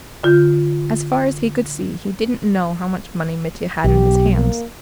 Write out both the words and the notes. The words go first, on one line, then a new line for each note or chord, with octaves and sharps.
As far as he could see he "didn't know" how much money Mitya had in his hands.
D3 F4 G6
B1 G4
A#3